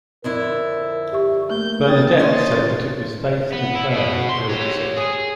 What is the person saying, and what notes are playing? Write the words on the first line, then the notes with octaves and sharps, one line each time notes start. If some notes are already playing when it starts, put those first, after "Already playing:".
Bernadette said that it was faith and prayer that cured the sick.
F2 D3 E4 A#4
G4 E5 C#6
A3 A#3 G6
G5 D#6 G#6 A6
C#4 D#4 C6 A6
B3
E4
B2 B3
C6
G4 C#5
G#4